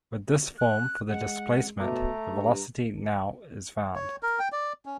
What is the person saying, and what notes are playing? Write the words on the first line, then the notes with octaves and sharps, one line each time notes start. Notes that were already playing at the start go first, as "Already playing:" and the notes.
With this form for the displacement, the velocity now is found.
F#6
G#3 F#5
B2 A3 E5 A#5 D6
G2
C#5
A#4
G5
D5
C#4